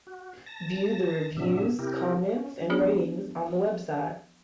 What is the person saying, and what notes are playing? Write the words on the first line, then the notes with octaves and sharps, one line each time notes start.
View the reviews, comments, and ratings on the website.
F#4
A5 A#6
A2 C3 F#3 D4 E5
C3 E4 G4 A#4
C#4
F3 B3 C#4 D4 G#4 D#6